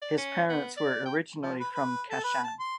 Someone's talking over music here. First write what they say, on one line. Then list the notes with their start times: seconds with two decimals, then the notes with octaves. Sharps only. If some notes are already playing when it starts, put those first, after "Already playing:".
His parents were originally from Kashan.
0.02 D5
0.18 C#4
0.50 B3
0.77 D5
1.06 G5
1.42 F3
1.60 B4
1.74 B4
2.10 A4
2.24 B4
2.43 A5
2.60 C6